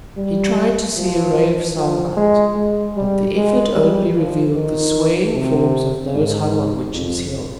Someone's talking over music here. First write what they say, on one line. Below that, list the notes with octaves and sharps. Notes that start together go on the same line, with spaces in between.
He tried to see a ray of sunlight; but the effort only revealed the swaying forms of those hung on Witches' Hill.
G3
F3
F3
G#3
G#3
G3
G#3
G3
F3
D#3
C3
G#2
F2